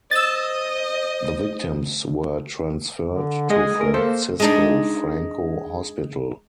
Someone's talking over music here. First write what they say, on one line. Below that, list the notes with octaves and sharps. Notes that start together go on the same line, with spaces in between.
The victims were transferred to Francisco Franco Hospital.
C5 D#5 E6 A6
D3
G#3 G#4 D#5
A3 A#4
A#3 A4 C5
G#3 D4 D#4